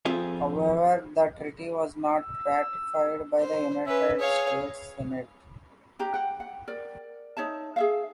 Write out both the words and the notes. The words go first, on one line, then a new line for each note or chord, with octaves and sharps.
However, the treaty was not ratified by the United States Senate.
F2 C4 F4 G#4 E5
E6
C5
C#4 B4 E5
G#4 C#5 F5
D4 G4 A#5
F#5 G5
F#5
A#4 D5
D#4 C#5 E5 A5
G#4 E5 F5